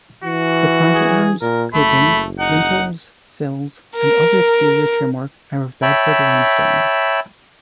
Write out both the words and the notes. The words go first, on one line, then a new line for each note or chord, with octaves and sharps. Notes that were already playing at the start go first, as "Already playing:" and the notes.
The planter urns, copings, lintels, sills and other exterior trimwork are of Bedford limestone.
E3 F#4
G#4
A#2 A#4
F#1 A3 B5
D#4 F#5
A#4
C#5 E5 G5 A5 B5